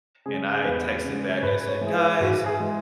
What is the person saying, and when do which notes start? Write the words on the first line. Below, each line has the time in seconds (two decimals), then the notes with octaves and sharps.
And I texted back, I said, “Guys"
0.25 C#3 G#3 G#4
0.53 G#4
0.65 E2 B4
1.04 C#3 G#3
1.37 C#5
1.42 G#2 B4
1.68 C#5
1.81 E3 G#3
1.86 G#4
1.95 B4
2.20 G#2 F#4
2.46 G#4
2.60 E3 G#3